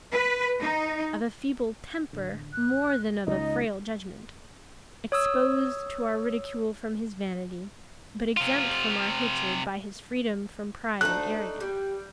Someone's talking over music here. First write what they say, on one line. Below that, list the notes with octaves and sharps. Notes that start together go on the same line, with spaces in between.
Of a feeble temper, more than of a frail judgment; exposed to our ridicule from his vanity; but exempt from our hatred by his freedom from pride and arrogance.
B4
D#4
A1 D3
A#1 F#6
C#2 D#4 D#5
C#5 D#6 E6
C3 F4
D2 A3 D4 D#4 F#6
G3 G4